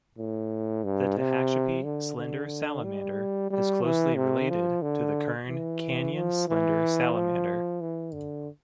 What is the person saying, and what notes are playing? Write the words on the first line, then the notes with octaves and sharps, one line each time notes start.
The Tehachapi slender salamander is closely related to the Kern Canyon slender salamander.
A2
G2
C3
D3
D3
G3
G3
E3
C3
F3
D3
E3
F3
E3
F3
E3
D3